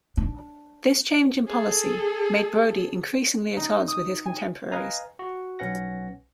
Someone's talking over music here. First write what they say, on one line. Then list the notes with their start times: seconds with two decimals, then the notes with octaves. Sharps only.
This change in policy made Brodie increasingly at odds with his contemporaries.
0.17 D4
1.48 G#4 A4
3.57 D#4
3.88 D#6
4.26 G#5
4.72 B4 D#5 F5 G#5 A#5
5.19 F#4
5.59 B1 C#4 B4 F#5 A#6